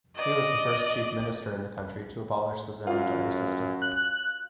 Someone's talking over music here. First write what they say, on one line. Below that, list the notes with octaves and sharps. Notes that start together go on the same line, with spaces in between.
He was the first chief minister in the country to abolish the zamindari system.
D5 D#5
F#2 F4
F#6